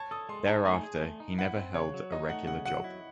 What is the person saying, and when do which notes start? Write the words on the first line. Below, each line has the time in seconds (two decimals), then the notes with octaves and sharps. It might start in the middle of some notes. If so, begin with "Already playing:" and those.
Thereafter, he never held a regular job.
Already playing: C#5 A5
0.11 A4 D#6
0.29 G#3 C6
0.47 D#4 A5
0.65 A3 G#5
0.83 G#4
1.02 A3
1.20 D#4
1.38 E4 F#5
1.56 C4
1.74 C#3 C#5
1.94 F#3
2.12 D#4 D#5
2.29 A3 F#5
2.47 C#3 F#5
2.66 F#3 F#5
2.84 E4